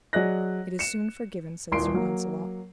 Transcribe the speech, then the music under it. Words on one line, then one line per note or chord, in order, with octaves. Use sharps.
It is soon forgiven, said Sir Launcelot.
F#3 G#4 D5 D#5 F#6 A#6
C#7 E7
D#1 C2 C6 C7 D7
F#3 A#3